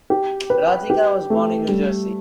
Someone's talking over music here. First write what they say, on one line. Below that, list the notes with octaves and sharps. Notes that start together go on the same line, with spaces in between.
Rah Digga was born in New Jersey.
G4
B4
G4
A3
G3